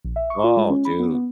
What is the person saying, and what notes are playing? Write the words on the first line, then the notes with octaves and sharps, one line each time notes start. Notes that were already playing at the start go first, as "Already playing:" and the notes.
Oh, dude.
A#1
E5
C#6
F4
G#3
C#4
B5
B3
B3